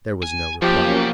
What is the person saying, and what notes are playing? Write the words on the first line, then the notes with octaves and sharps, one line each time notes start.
There was no reply.
G#5
B2 F3 F#3 A#3 C#4 G4